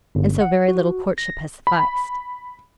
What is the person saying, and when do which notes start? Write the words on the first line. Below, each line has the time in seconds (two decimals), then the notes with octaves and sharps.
And so very little courtship has sufficed.
0.15 G1
0.41 F#5
0.68 F#4
1.18 A#6
1.67 B5